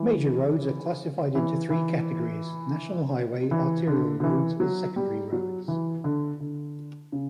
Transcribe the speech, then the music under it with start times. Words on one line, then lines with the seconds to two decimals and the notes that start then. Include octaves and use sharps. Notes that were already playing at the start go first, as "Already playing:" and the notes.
Major roads are classified into three categories: National Highway, Arterial Roads, and Secondary Roads.
Already playing: E3
1.35 E3
1.70 E3
3.51 E3
3.87 D3
4.20 D3
4.23 E3
4.60 F#3
4.96 G3
5.32 F#3
5.68 E3
6.04 D3
6.40 D3
7.12 C#3